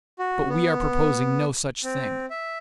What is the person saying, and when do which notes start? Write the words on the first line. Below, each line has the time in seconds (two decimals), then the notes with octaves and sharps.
But we are proposing no such thing.
0.19 F#4
0.49 B3
1.84 C4
2.30 E5